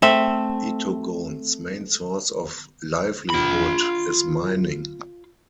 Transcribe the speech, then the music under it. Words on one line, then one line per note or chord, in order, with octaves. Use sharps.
Itogon's main source of livelihood is mining.
A3 C4 E5
F4 B5